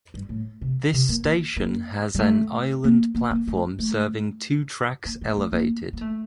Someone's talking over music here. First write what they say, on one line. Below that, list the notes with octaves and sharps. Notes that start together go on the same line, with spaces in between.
This station has an island platform serving two tracks elevated.
G2
A2
C3
C3
A#3
A#3
A#3
G3
A3
A#3
A#3
A#3
A3
A3
A#3
A#3
A3
A#3
A#3
A3